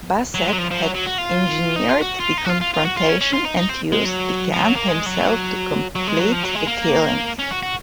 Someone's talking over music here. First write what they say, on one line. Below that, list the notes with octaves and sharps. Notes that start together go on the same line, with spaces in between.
Bassett had engineered the confrontation and used the gun himself to complete the killing.
F#3
G#3
F#3
F3
F3
F#3
F#3
F#4
F4
D#4
F4
F#4
F4
D#4
F#4
F4
F4
F4
F#4
F4
C#4
C#4
F4
D#4
D#4
C4
G#3
F#3
F3
F#3
A#3
G#3
F#3
F#3
G#3
F#3
F3
F#3
G#3
A#3
C#4
F#4
F#4